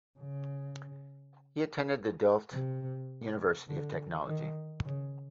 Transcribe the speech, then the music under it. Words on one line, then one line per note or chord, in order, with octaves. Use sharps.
He attended the Delft University of Technology.
C#3
C3
D3
D#3
C#3